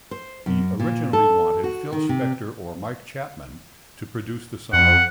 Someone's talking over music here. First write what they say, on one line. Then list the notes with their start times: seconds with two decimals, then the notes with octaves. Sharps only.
He originally wanted Phil Spector or Mike Chapman to produce the song.
0.11 C5
0.46 F#2
0.80 A#2
1.13 A4
1.64 F#4
1.92 D#3
2.09 C3
4.73 F2 F#5